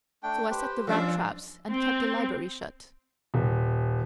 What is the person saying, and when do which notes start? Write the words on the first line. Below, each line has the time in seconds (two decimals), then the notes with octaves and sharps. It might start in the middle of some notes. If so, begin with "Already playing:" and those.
So I set the rat-traps and kept the library shut.
0.23 A3 D4 G5
0.51 G4 B4 C5
0.87 F3 G3 C#4 D4 E6
1.70 C4
3.34 D#1